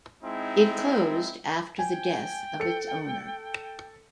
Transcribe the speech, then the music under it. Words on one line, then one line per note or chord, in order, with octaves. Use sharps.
It closed after the death of its owner.
G#3 C4 D#4 E4
G5 G#5
A4 C#7